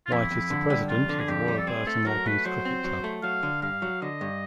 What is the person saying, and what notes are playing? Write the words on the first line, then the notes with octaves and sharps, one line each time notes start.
White is the President of the Royal Burton Agnes Cricket Club.
F4
F2 E4
F2
D3
G3
F2 F4
D3
G#4
F2 G4
G3
A4
C4 G#4
A3 A4
F#3 A#4
A3 B4
F#3 C5
C4
F#3
A3
F#3 F5
D3
G2 F5
F#3
D3 D#5
G2